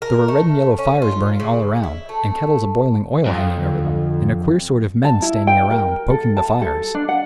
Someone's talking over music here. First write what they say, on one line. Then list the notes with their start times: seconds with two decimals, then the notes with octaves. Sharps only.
There were red and yellow fires burning all around, and kettles of boiling oil hanging over them, and a queer sort of men standing round, poking the fires.
0.02 A#4
0.28 A3
0.79 C#4
1.02 F4
1.40 C#3
1.83 E4
2.09 A3
3.26 F2 F#3
3.58 D3
5.05 A5
5.22 E4
5.47 G5
5.71 A#4
6.10 A4
6.37 A5
6.62 A4
6.95 D4
7.09 F#5